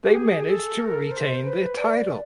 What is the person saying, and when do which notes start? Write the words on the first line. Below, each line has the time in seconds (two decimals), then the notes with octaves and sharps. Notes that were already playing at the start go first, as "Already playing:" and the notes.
They managed to retain their title.
0.04 G4
0.14 G#4
0.47 A4
0.80 A#4
1.12 C5
1.45 B4
1.77 D5